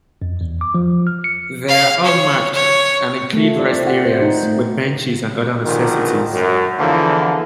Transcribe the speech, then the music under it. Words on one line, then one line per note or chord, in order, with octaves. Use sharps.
They are all marked and include rest areas with benches and other necessities.
F2
E2
D6
F3
F6
C#7
F5
C#5
C#5
A3
F4
D5
C4
F#5
C5
D#4
A3
A#1 A#2 D3 D#3
F#2
E2 D3 E3 F3 A#3